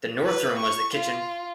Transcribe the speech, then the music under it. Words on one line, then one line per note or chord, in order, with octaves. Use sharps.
The North room was the kitchen.
B4
C#6
F4